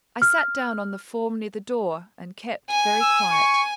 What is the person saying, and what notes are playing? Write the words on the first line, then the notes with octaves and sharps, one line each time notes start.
I sat down on the form near the door, and kept very quiet.
F6
G#5
E6
C#6